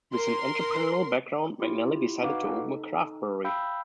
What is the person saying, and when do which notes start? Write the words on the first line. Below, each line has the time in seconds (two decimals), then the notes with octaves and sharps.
With an entrepreneurial background, McNally decided to open a craft brewery.
0.12 A#4 C6
1.60 E4 F4 G4
2.22 D#4 F#4 B4 F5 F#5 D6
2.45 D#4 A4
3.44 F5 G5 B5 E6 G6